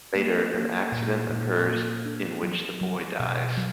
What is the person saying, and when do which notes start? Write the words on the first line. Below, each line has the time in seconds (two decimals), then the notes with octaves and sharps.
Later, an accident occurs in which the boy dies.
0.16 A#3
0.54 A#3
0.92 A#2
1.29 A#2
1.67 A#3
2.05 D4
2.43 F#3
2.81 F#3
3.19 B2
3.57 F#3